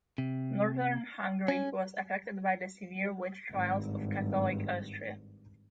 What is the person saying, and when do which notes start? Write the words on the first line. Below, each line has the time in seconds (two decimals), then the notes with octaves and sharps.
Northern Hungary was affected by the severe witch trials of Catholic Austria.
0.18 C3
1.48 C#4
3.51 G#1 G2